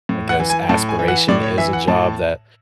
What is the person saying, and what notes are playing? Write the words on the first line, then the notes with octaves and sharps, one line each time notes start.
I guess, aspiration is a job that,
A2
F#5
E3
G#5
A2 A5
G#5
E3
F#5
A2 D5
C#5
E3 E5
F#5
A2 A5